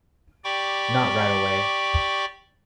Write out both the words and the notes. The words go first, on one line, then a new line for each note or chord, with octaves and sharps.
Not right away.
G4 D5 G5 B5 C#6 D6